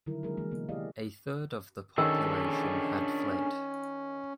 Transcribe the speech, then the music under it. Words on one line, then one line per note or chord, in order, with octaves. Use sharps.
A third of the population had fled.
D3 D#3 F#3 G3 E4 A#4
F#3 G#3 A#3 D4 G#4 A#4
E3 G#3 A#3
C3 A#3 B3
E4 G4 G#4 D5 D#5 F5
D#3 C#4 D4 G#4 A4 E6